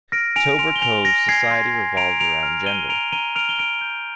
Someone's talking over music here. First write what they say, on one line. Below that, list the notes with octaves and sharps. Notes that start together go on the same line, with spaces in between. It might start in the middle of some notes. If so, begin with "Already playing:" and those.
Tober Cove's society revolves around gender.
F6 A#6 D7
G#5 D7 F7
C6 D7 F7
G7
G#5 D7 F7
F6 A#6 D7
G#5 G#6 C7
C6 G#6
G#5
A#5 D7 F7
A#5 D7 F7
F6
F6 D#7 G7
A#5 D7 F7
A#5 D#7 G7
F6 D7 F7
G7
F6 D7 F7
G6